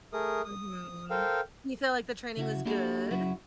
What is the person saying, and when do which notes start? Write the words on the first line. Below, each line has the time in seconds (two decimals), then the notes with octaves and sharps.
Mhm. You feel like the training was good?
0.13 A3 G#4 A#4 D#6
0.44 D#6
1.10 A4 A#4 C5 F5 G5
2.37 C#3 E4 F#4
2.65 A#3 D4 E4 F#4 G4 A4
3.11 F#2 C#3 F#3 E4 F#4